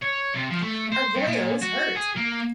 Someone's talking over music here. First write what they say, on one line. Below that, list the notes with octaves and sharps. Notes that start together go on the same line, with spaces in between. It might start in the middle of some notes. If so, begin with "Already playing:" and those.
Arguello is hurt!!
C#5
C3
F3
A3
C5
G2
A#2
F#4
G#4
A#3